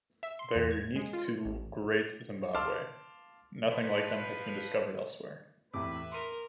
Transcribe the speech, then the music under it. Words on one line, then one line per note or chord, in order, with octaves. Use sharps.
They are unique to Great Zimbabwe; nothing like them has been discovered elsewhere.
E5
C6
E2
G#6
G#3
F4
A1
F5 A5 C6 D6 E6 F6
F3 B4
E2 A2 C3 B4 E5 D6
A#4 C6 D#7